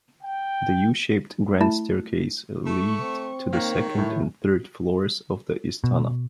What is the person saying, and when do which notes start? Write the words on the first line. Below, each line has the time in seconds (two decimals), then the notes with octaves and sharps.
The U-shaped Grand Staircase leads to the second and third floors of the Istana.
0.23 G5
1.61 A3 E4 A5
2.66 A3 C#6
3.00 C4
3.53 D#3 A#3 C#5
3.98 A2 E4
5.84 B2